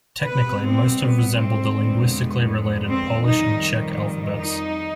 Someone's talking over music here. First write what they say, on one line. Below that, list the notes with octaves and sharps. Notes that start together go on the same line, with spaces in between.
Technically, most have resembled the linguistically related Polish and Czech alphabets.
C3 G3 B3 B4
C4
B3
C4
F2 D3 G#3 B3
C4
F2 D#3 G3 D#4
D#4